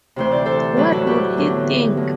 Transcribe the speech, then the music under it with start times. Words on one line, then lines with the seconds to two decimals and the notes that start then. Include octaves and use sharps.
What would he think?
0.16 D2 C3 E3 C5
0.32 D5
0.46 A4 C5
0.77 A2 F#3 G4 B4
0.92 F#4 A4
1.07 G4 B4
1.37 E2 D3 F#3
1.97 A2